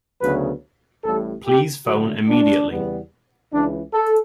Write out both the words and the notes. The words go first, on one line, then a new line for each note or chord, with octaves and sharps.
Please phone immediately!
D2 C#3 F#3 B3 B4
A1 A2 G3 A4
G4
G2 D3 F#3 A3 F#4
D4
E2 C#3 E3 G3 B3
C#2 C#3 E3 D4
A4